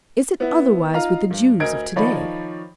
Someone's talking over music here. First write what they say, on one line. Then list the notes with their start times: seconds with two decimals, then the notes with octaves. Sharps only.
Is it otherwise with the Jews of to-day?
0.40 B3 E4
0.94 D#4 F4 F5 A#5
1.31 G2
1.60 D2 A#4 D#5 G#6 D7
1.96 D#3 F3 D#4 C#5 D5 B5